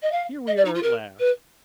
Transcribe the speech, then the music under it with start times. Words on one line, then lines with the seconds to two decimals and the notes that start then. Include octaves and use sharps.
'Here we are at last.
0.02 D#5
0.12 F5
0.47 D#5
0.57 D5
0.65 D#4
0.74 F4
0.83 A#4
1.19 B4